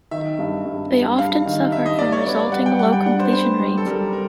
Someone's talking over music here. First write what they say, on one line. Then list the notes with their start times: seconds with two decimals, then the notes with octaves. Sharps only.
They often suffer from resulting low completion rates.
0.11 D#3 E5
0.39 G2
0.65 G2
0.92 G2
1.18 G2 F5
1.46 D#3
1.72 D#3 E5
1.86 D#5
1.99 G2 D5
2.12 C#5
2.26 B3 D5
2.39 D5
2.52 G3 F#5
2.66 G5
2.79 G3 F#5
2.93 G5
3.06 D4 F#5
3.19 C5
3.32 B3 C5
3.60 G3
3.78 A4
3.86 G3 A#4
4.13 A#4